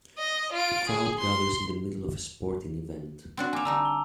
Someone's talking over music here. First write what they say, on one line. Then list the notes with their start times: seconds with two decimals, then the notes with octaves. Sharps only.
A crowd gathers in the middle of a sporting event.
0.18 D#5
0.53 F4 D7
0.88 G#4
1.18 C6
3.37 C4 D4 F#4
3.53 A#3 A4 G#5 D6 F7
3.65 D3 G3 D#4 A5 A#5 E6
3.85 G7